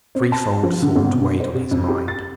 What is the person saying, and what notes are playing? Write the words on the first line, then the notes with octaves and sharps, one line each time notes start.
A threefold thought weighed on his mind.
C4
A5
F3
D3
G#1
B2
D4
C5
C3
F2
G4
A6